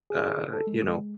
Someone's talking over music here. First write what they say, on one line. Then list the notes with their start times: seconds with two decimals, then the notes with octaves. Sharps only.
uh, you know,
0.10 G#4
0.53 A4
0.67 G#3